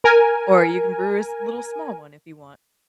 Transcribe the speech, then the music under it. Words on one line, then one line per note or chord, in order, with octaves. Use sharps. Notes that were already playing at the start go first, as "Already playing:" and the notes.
or you can brew a s little small one, if you want.
A#4 G#5